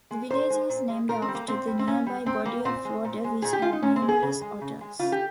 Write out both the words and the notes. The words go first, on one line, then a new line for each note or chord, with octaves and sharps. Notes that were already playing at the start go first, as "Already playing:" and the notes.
The village is named after the nearby body of water which had numerous otters.
G#3
A#2 C5
G#3
A#2
G#3
A#2 A#4
C4
G3
A#3
A#2 C4
G3
C4
A#2 C#4
G3
A#2 C4
G3 A#3
A#2 C4
G#3
A#2
G#3
A#2 G#4
G4
G#3 F4
D#4
A#2 C#4
C4
G#3
G#4
C#3
G#3
C#3
G#3
C#3 F4
G4